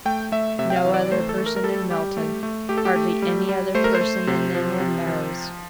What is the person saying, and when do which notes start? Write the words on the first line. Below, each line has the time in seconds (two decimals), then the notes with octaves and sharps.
No other person in Milton--hardly any other person in England knows.
0.05 A3 G5
0.32 A3 E5
0.59 C3 E5
0.70 G5
0.76 F5
0.85 E3
0.94 D5
1.11 A3 C5
1.29 A4
1.37 A3
1.46 A#4
1.56 A#4
1.64 G3 A4
1.91 G3 G4
2.17 A3
2.43 A3
2.69 A3 G4
2.78 A4
2.85 G4
2.96 A3
3.22 G3
3.49 G3
3.75 A3 C5
3.84 A#4
3.95 C5
4.01 A3
4.27 C3
4.55 F3
4.80 C3
5.07 F3